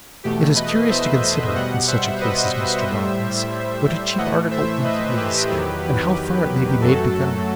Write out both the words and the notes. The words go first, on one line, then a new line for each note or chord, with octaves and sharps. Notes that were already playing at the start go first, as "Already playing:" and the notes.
It is curious to consider, in such a case as Mr Boffin's, what a cheap article ink is, and how far it may be made to go.
E2 B2 A3 G4
B4 D#5
C5 E5
C5 E5
B2 G3 D#5 F#5
C5 E5
B4 D#5
C5 E5
A2 G3
A2 E3 A3 D#5 F#5
C5 E5
B4 D#5
G4 B4
E2 D#3 F#3
F#2 F#3 A3 F#4 A4